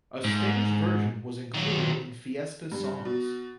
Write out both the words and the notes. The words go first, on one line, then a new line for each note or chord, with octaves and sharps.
A Spanish version was included in Fiesta Songs!
G#2
D#3 F#3
G2
B2